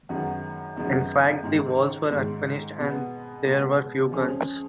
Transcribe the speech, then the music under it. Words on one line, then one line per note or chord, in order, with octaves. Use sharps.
In fact, the walls were unfinished and there were few guns.
F#2 D#3 G#3 B3 F#4
F#2 D#3 G#3 B3 F#4
G#2 D#3 G#3
G#2 D#3 G#3
B2 G#3 B3
B2 G#3 B3
F2 F3 G#3 C#4 G#4